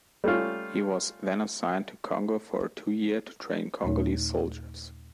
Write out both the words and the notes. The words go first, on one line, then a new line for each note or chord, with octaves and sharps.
He was then assigned to Congo for a two-year to train Congolese soldiers.
G3 A3 C#4 F4
D#2 A#2 A3 D#4 C#5